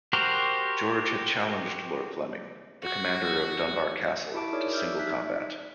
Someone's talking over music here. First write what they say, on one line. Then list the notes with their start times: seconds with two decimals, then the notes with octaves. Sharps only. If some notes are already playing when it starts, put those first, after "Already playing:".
George had challenged Lord Fleming, the commander of Dunbar Castle, to single combat.
0.13 F#4 G4 A#4 C5
2.83 F#4
4.34 E4 F#4 E5 A5 D6 D7
4.53 D#4 G#4 A#4 C#5 D5 D6
4.73 E5 E6 F6 G6
4.99 D#4 E5 F#6 B6